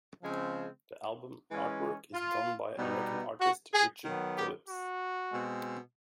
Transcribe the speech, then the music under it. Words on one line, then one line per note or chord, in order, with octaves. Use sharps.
The album artwork is done by American artist Richard Phillips.
C#3 F3 G#3 C4
E3 G#3 C#4
F4
B2 G3 B3 D#4
F#4
G#4
D#3 F#3 B3
G4
F#4
B2 G#3 C4